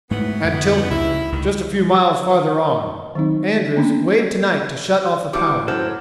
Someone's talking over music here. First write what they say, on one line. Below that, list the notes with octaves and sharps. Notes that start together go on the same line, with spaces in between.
"At Tilton--just a few miles farther on." Andrews waved to Knight to shut off the power.
G#2 E3 F#3 A3 B3
F2 D3
C#2 D#3 F#3 E4
C#2 D#3
D#5
D#3 F#3 C4 D#4
A#3 B3 C#4 D4
E3 G3 A3 E4 F#4 F5 D6
F#2 A2 F#3 A4 C5 F6